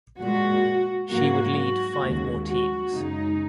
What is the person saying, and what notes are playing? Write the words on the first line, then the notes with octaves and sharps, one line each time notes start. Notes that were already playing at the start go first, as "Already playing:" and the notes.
She would lead five more teams.
A#2 G#3 F#4
G#2 F#3 A#3 F#4
F#4
D#2 C#3 G#3
F#4
F#2 C#3 G#3 D#4